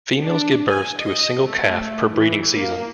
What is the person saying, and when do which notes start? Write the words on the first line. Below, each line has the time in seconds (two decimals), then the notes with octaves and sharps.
Females give birth to a single calf per breeding season.
0.23 D4
0.69 G#5
1.00 D#5
1.45 A3
2.14 E3
2.55 A#3